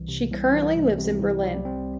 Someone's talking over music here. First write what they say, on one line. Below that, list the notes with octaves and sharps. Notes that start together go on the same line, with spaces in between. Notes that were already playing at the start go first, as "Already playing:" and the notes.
She currently lives in Berlin.
Already playing: C2 E3
C3
C2
E3
C2
C3
C2
G3
C4